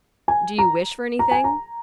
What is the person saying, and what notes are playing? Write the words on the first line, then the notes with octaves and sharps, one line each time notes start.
"Do you wish for anything?"
G#5
A#5
A#5
G#5
A#5